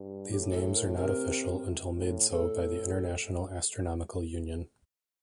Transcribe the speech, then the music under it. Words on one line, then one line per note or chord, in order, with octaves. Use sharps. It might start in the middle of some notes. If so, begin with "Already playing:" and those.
These names are not official until made so by the International Astronomical Union.
Already playing: G2
A2 G4
A4
A#4
C3 A#4
A2
A2 A4